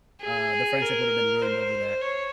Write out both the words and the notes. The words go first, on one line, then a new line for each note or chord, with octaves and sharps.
uh, the friendship would have been ruined over that.
G#4
A#4
C5
C#5